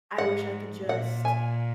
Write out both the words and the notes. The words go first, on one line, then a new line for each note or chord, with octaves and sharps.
I wish I could just,
G#2 F#5
A#2 F#5
G#5